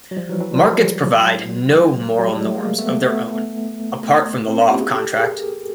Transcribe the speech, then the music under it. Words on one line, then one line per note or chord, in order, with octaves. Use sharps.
Markets provide no moral norms of their own apart from the law of contract.
F#3
F3 G3
E3 F#3
E3 F#3
F3 G3
F#3 G#3
F#3
G3
G#3
A3
G#3 A#3
A3 B3
A3 B3
C4
B3 C#4
F4 G4
F#4 G#4
G4 A4
G#4 A#4